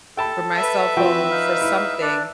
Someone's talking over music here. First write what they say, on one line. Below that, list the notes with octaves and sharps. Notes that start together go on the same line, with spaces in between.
for my cell phone for something
A4 G5 A5 B5
B4 E5
F3 C4 F#4 G5
D#4 F5
E4
D4 D5